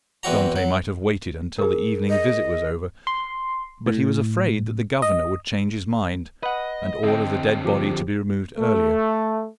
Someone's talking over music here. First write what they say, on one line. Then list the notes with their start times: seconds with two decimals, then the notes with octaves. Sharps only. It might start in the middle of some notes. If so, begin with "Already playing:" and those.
Dantes might have waited until the evening visit was over, but he was afraid that the governor would change his mind, and order the dead body to be removed earlier.
0.23 E2 E3 C4 F#4 A#5
0.56 F#3
1.58 G#4 A#4
2.10 D#5
3.07 C6
3.86 A2
5.02 D#5
6.43 B4 D#5 F#5
7.04 D3 C4 D#5 G5
7.64 F3 G4
8.56 A3